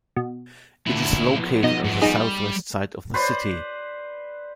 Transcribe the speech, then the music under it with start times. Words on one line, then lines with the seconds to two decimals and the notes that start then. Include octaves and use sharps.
It is located on the southwest side of the city.
0.16 B2
0.87 D2 A#2 E4
1.36 F3 B3
1.63 B2 D#4 D#5
1.85 G#2
2.02 G3 D#4 G#4
3.14 B4 C5 D5